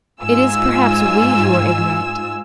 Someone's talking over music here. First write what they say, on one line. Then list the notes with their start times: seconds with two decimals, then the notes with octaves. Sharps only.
It is perhaps we who are ignorant.
0.22 G#2 F4 G#5 E6